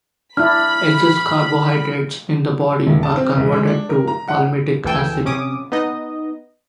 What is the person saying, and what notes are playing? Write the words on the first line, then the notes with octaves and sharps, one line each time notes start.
Excess carbohydrates in the body are converted to palmitic acid.
D4 E4 B5 F6
D#1
A5
C4
E1
G#3
D4
A#4
A#5
F#5
D2 E3 A4 G5 G#5 E6
C3 C#4 D6 D#6
B3 D#4 D#5